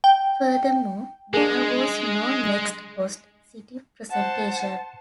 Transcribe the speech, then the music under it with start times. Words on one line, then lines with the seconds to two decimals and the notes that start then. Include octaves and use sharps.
Furthermore, there was no next host city presentation.
0.04 G5
1.34 G#3 D4 G#4
4.11 C5 F#5 A5